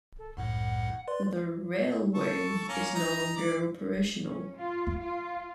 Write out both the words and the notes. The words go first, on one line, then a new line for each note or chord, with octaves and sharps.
The railway is no longer operational.
A4
C2 F#2 A2 F#5
B4 D5 C6
A4 C#6
A#3 C#4 A#4
D#4 A#5
D5
C#4
F4
F4